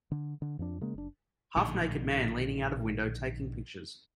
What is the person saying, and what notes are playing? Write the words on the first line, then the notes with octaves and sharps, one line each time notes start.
Half naked man leaning out of window taking pictures.
D3
D3
F2 F3 D4
C#3 G#3 A#3
F#1 D4
A#1 A2 D3 D#3